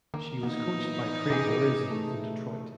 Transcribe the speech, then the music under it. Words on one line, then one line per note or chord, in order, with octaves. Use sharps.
She was coached by Craig Maurizi in Detroit.
D#3 A#3
A#2 E3 B3 D#4
C3 G#3 G4 G#4 D6
A3